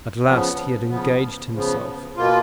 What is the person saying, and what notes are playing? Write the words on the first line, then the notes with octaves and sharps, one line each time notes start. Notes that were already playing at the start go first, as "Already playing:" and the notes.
At last he had engaged himself.
C#3 F3 B3
C#3 F3 B3
C#3 F3 B3
B2 A#3 F4